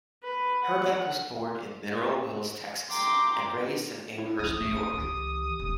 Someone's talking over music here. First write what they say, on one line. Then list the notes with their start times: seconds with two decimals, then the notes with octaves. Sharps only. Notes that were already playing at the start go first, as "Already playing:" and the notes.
Herbeck was born in Mineral Wells, Texas, and raised in Amherst, New York.
0.23 B4
0.63 F#5
2.91 G5 A#5 C6 D6
4.18 E4
4.39 F3 F4 D#6 A#6
4.61 A3 C4 F4
4.77 D7
4.94 C#2 E3 G4
5.59 E1